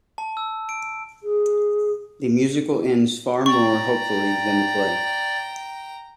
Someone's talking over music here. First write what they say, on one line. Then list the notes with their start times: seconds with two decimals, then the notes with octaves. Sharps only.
The musical ends far more hopefully than the play.
0.18 A5
0.37 E6
0.69 D7
1.23 G#4
3.46 D5 G5 A#5 C#6